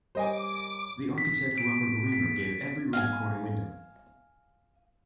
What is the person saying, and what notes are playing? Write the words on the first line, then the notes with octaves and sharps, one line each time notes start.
The architect Robert Reamer gave every room a corner window.
G3 A#4 C5 C#5 D#5 G#5 D6
B6
D7
B6
F5 F#5 G#5